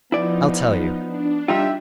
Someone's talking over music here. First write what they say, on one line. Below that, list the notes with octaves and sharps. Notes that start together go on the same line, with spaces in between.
I'll tell you.
F3 B3 D#4 E4 D5
D4
G3 D#4 F4 G4 E5